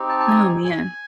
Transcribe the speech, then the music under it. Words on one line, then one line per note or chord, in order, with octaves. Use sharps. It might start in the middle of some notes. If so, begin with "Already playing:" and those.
Oh, man.
Already playing: C4 D#4 G4
A5
A5
G#5
G#5